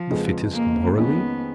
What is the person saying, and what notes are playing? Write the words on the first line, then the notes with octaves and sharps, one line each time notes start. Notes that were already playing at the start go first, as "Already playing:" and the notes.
The fittest morally?
Already playing: F3
F2 C#3 G#3 B3 F4
A#3
F2 D#3 G#3 B3 C#4